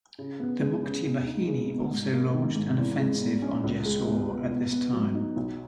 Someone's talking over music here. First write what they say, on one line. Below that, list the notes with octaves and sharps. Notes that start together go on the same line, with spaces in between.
The Mukti Bahini also launched an offensive on Jessore at this time.
C#3
B3
G#3
C#3
B2
D#4
G#3
B2
G#2
A#3
D#3
G#2
E2
G#3
B2
C#4
C#2
G#3
B2
B3
B2
B3
F#3
D#4
B1